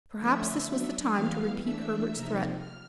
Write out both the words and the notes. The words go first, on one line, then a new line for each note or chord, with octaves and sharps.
Perhaps this was the time to repeat Herbert's threat.
D3 F3 A3 C#4 E5 E6
F#3 B3 D4
E3 G3 B3 F5 F6
E3 A3 D4 E5 E6
C3 F3 A#3 D#4
F6